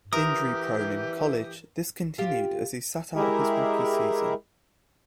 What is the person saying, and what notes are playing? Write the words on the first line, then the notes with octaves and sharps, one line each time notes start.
Injury-prone in college, this continued as he sat out his rookie season.
E3 G4 A#4 D#6
F4 G4
G#3 E4 G4 G#4 A#4 E5